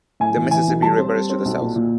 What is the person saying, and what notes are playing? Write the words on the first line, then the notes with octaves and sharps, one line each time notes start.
The Mississippi River is to the south.
A2 G#5
E3
E3 G#5
B1
G3 A5
C4
G3
C4
B1
A#2
A#2